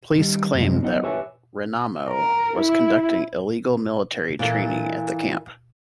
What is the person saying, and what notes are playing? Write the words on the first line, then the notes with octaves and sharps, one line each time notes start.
Police claimed that Renamo was conducting illegal military training at the camp.
D3 D#3 G3
F#2 A2 C3 F3 G#3
F#3 B3 D#4 D#5 F#5
G4 B4 C#5 E5 G#5
A#4
E4
A#2 E3 A#3 A4